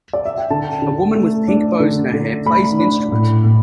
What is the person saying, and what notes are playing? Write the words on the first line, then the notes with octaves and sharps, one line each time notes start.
A woman with pink bows in her hair plays an instrument.
D5
E5
G5
D3 A5
D3
A3
D4
D3
D3
A3 B5
D4
A2
A2